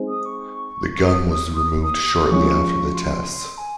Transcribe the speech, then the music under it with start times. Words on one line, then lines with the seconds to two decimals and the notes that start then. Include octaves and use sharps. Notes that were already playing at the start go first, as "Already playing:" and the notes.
The gun was removed shortly after the tests.
Already playing: G#3 C4 D#4 G#4 C5
0.08 D#6
0.25 C#6
1.04 D#6
1.30 D#6
1.55 D#6
1.81 D#6
2.30 C3 F3 G#3 C#4 F4 C#6
2.94 C6
3.57 G#5